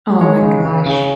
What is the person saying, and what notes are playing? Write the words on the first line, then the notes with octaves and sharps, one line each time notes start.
Oh my gosh.
G#3 C#5
C#3
C#3
C#3